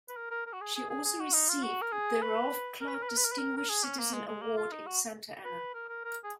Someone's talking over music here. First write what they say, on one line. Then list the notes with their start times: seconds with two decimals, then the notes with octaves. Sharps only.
She also received the Ralph Clark Distinguished Citizen Award in Santa Ana.
0.09 B4
0.17 A#4
0.31 A#4
0.46 A#4
0.53 F#4
0.61 G#4
0.76 G#4
0.90 G#4
1.05 G#4
1.20 F#4
1.33 D#4
1.49 F4
1.64 F#4
1.82 A#4
1.93 G#4
2.22 B4
2.81 A#4
2.88 B4
2.95 A#4
3.03 B4
3.09 A#4
3.17 B4
3.25 A#4
3.32 B4
3.39 A#4
3.57 A#4
3.69 G#4
3.84 C#4
3.98 A#3
4.13 G#3
4.28 G#3
4.42 A#3
4.57 F4
4.72 D#4
4.86 F#4
5.45 B4
5.74 A#4
5.89 A#4
6.04 A#4
6.24 G#4